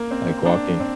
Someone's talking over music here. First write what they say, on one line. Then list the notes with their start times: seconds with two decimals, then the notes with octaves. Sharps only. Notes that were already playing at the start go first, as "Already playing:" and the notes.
like walking.
Already playing: A#3
0.11 C4
0.28 C4
0.45 D4
0.80 C4